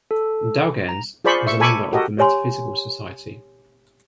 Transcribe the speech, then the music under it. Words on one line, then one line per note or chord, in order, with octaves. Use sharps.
Dalgairns was a member of the Metaphysical Society.
A4
A#5
F4 G#4 C5 D5 B5 C#6
E5 C#6
A4 G#5 B5 C#6 D6
F#4 G4 A4 A#4 D#5
G4 C#5 G#5 C6